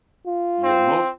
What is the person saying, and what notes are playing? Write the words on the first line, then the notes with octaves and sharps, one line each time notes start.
Yeah, most
F4
C4